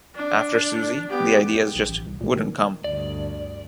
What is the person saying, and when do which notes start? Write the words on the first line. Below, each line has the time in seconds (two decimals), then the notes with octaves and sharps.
After Suzie, the ideas just wouldn't come.
0.15 D4
1.10 B3 G4
1.76 B1
1.89 A1
2.07 C2
2.21 A#2
2.36 D#3
2.84 D2 G2 D5